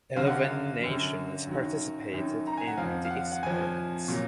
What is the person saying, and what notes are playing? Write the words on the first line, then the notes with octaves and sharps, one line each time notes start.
Eleven nations participated in the experiments.
F#2 D3 F#3 F5
F#5
F5
F#2 D3 F#3
F#2 D#3 F#3
F#2 D#3 F#3
A#5
G#5
F#5
F2 F3 F5
F5
F#5
F#5
F2 F3 G#5
A#2 F#3